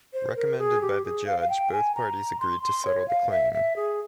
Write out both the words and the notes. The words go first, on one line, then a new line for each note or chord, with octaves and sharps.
Recommended by the judge, both parties agreed to settle the claim.
C5
A#4
G#4
G4
G#4
F5
F5
G5
G#5
A#5
C6
C6
C#5
F5
E5
E5
G#4